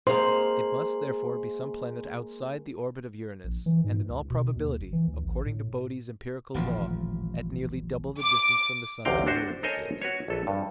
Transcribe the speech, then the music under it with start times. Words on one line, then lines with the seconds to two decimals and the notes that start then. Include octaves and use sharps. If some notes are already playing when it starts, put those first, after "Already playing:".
It must, therefore, be some planet outside the orbit of Uranus, and in all probability, according to Bode's empirical law, at nearly double the distance from the sun that Uranus is.
0.07 G#3 A#3 C5 C6
3.44 A#1
3.66 E3
3.84 G#2
4.10 C#2
4.30 B2
4.56 D#2
4.80 F#1
4.93 E3
5.08 D2
5.24 A1
5.46 A2
6.54 D#1 A1 F3
8.21 D6
9.05 A1 D2 C3 F5 G5 A#5
9.26 D4 F#4 C5
9.63 A4 A#4 C5 C#5 D#5 G#5
10.02 F#4 B4 C#5
10.28 A#1 A4 B4
10.47 G2